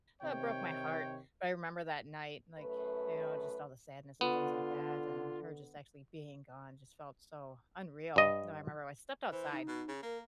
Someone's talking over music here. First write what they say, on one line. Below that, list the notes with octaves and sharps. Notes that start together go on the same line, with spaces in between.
oh, broke my heart, but I remember that night, like, you know, just all the sadness and things like that, and her just actually being gone just felt so unreal. Now, I remember I stepped outside,
C3 D#3 C4 C#5 G5
F#2 A3 B4
D3 B3 F4
G2 D#5
E3 C5
D#4
B2
C#3
A#3 A#4